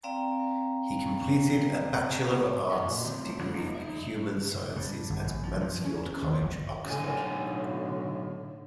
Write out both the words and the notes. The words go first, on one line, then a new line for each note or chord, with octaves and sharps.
He completed a Bachelor of Arts degree in human sciences at Mansfield College, Oxford.
C4 D5 F5 G5 A#5
F#4 G4 A4 D#5 E5
A#2
D3 F#3 A3 C4 C5
G3 C#4 D4 F4 F#4
F3 G3 B3 D#4
D#4 D5 E5
G2
G1
A1
F3
F3
C#4
D#2
G1
B1 A2 D3 G#5